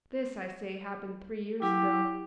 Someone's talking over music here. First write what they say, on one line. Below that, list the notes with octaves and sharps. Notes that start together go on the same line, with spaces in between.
This, I say, happened three years ago.
F#3 E4 G4